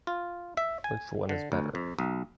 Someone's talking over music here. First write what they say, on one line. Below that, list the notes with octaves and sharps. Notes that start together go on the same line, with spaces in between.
Which one is better?
F4
E5
G#5
D3
D2
F2
B1